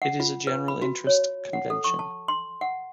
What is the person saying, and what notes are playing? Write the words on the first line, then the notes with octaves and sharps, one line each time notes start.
It is a general interest convention.
F#5
F4
B4
B5
F#4
C#5
F#5
A4
C#6
A5
C6
F#5